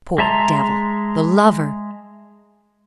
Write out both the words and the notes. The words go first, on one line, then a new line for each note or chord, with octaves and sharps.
Poor devil--the lover!
G#3 E5 A5 A#5 C6